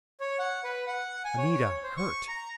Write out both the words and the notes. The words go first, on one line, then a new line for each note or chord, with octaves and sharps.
Anita hurt!
C#5
F#5
B4
F#5
G#5
C#5
C5
C#6
A#5